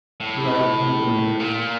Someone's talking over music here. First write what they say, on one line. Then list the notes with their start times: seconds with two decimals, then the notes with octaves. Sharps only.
Wright never married.
0.20 A2
1.40 A#2